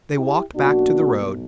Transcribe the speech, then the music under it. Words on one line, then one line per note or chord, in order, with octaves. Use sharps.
They walked back to the road.
E4 G4
B1 B2 A#3 D4 F#4